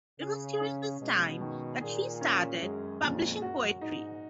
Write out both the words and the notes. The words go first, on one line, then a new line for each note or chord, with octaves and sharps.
It was during this time that she first started publishing poetry.
C#3 G#4
C#4
B2 G#3
D#3
A#2 G#4
C#4
F#2 G#3
F2 A#2
F#2 F#4
G#2 D#4